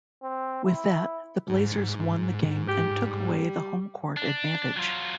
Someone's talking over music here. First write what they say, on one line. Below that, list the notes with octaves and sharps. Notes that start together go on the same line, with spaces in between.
With that, the Blazers won the game and took away the home-court advantage.
C4
E4
G#2
G4
G3
D4
F#3 F4